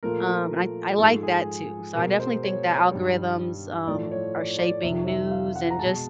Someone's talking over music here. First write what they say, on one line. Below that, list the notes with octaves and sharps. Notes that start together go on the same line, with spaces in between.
um, and I I like that too. So, I definitely think that algorithms, um, are shaping news and just
A#2 F3 A3 A#4
G#2 F3 G#3 A4
G#4
B2 G#3 A#4
C5
C#5
G2 D#3 G3
A2 F3 A3 D5
C#5
D5
D5
F2 C3 D#3 E5
E5
F5
F#5
A#5
B2 G#3 A5